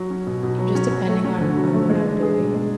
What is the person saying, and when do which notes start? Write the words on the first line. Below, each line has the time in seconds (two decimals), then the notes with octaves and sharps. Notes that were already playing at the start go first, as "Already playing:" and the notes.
just depending on on what I'm doing.
Already playing: F#3
0.10 C#4
0.27 B2
0.43 B2
0.59 F#3
0.75 C#4
0.92 F#3
1.08 A3
1.24 C#4
1.41 D3
1.57 F#3
1.73 A3
1.89 G#3
2.05 D4
2.22 G#4
2.39 B2
2.55 G#3